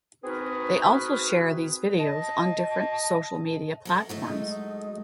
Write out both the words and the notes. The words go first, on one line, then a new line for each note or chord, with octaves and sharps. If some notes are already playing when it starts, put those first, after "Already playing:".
They also share these videos on different social media platforms.
C4 D#4 F#4 G#4 A#4 B4
D#5 A5
F#3 A4 A#4
F#3 A3 D#4 E4
G#3 D#5